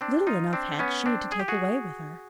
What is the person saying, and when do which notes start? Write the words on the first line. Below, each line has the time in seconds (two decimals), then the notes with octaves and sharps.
Little enough had she to take away with her.
0.01 C4 D4
0.27 D#4 F4
0.53 C4 D4
0.79 B3 C#4
1.06 C4 D4
1.32 G#4
1.39 G4
1.48 F#4 G#4